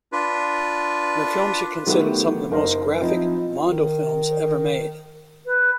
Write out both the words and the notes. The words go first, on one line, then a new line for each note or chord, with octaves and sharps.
Their films are considered some of the most graphic Mondo films ever made.
D4 F4 B4
D#3 F#3 A3 B3 G4
F#1 D#4 A#4 C6
F3 C4 D#4 E4
D#3
B4